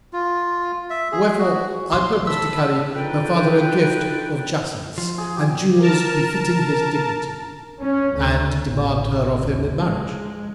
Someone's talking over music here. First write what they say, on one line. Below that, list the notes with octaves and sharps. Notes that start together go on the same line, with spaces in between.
Wherefore I purpose to carry her father a gift of jacinths and jewels befitting his dignity, and demand her of him in marriage.
F4
E5
G#4
F#4
C2 B2 F#3 C6
A5 B5 E6
F2 D4 D#4 B4 G5
F3
G#4
G4 G#5
A#4 A5
C#4
D2
A1
D#2
G#3